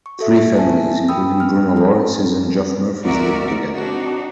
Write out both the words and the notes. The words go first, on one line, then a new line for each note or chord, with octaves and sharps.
Three families, including Bruno Lawrence's and Geoff Murphy's, lived together.
C#6
F#4 A4 E5
A#3 E4 E5 G#5 A5
G5 B5 D#6 E6
F6
G#4 A4
D2 G#3 F#4 A#4 D5 E5
C4 D4 D#4 F#4